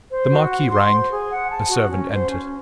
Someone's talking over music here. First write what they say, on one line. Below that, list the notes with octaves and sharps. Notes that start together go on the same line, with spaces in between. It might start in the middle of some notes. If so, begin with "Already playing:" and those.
The marquis rang, a servant entered.
C5
F#4
F#5
C6
C5
G#4
F#5
A5
F#4
C#4
C5
C#4